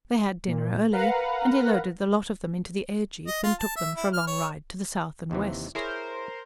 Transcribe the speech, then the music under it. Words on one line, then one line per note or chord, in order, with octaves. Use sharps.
They had dinner early, and he loaded the lot of them into the airjeep and took them for a long ride to the south and west.
A#2
A#4 B4 F5 F#5 A#5
D#5
F4
A5
E5
E4
F6
C#5
D#2 C3 E3
E4 G#4 A#4 C5 C#5